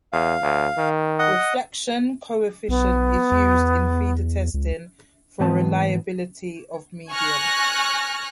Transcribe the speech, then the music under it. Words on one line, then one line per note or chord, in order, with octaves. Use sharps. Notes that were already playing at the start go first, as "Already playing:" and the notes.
Reflection coefficient is used in feeder testing for reliability of medium.
E2 F5
D2
D#3
D#5 F#5 D#6
B1 B3
E2
C#2
G#2 E3 B3 C4 A5
G#5 C#6 F6 F#6 A#6